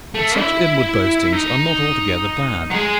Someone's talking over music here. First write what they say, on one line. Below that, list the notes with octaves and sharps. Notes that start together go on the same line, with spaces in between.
But such inward boastings are not altogether bad.
A3
E4
D#4
F#3
G#3